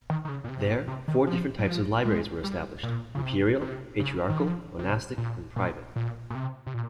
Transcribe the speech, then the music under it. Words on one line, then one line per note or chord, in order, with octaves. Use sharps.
There, four different types of libraries were established: imperial, patriarchal, monastic, and private.
D#3
D#3
C#3
A#2
C3
C3
A#2
C3
D#3
F3
G3
F3
G#3
G3
A#2
C#3
C3
C3
C#3
D#3
F3
C3
A#2
A#2
A#2
A#2
C3
C3
A#2